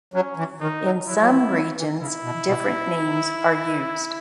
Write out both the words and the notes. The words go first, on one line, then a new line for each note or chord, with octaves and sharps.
In some regions different names are used.
F#3 C#4
E3
D#3 D#4
F#3
F#3 E4
F#3
E3
G#3
F#3
E3
C#3 E4
B2
B2